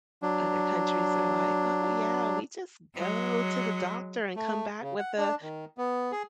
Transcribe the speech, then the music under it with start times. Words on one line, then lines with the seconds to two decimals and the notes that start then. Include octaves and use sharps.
other countries are like, "Oh, yeah, we just go to the doctor and come back with a
0.23 F#3 D4
2.96 F#3 G#3
4.36 A3
4.82 C#3
4.98 F#5
5.17 D4
5.42 D#3
5.78 B3
6.12 G#4